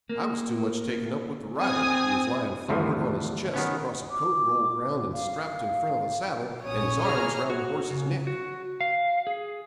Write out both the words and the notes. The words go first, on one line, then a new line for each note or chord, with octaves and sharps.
I was too much taken up with the rider, who was lying forward on his chest across a coat rolled round and strapped in front of the saddle, and his arms round the horse's neck.
A#3
C4 G#5 D#6
G#1 D2 G2 E3 F3
D#3 B3 C#4
D6
F5
A#1 C#4 C#5 D#6
G#4 A#5 F6
F#4
C#3
F#4
F5
G#4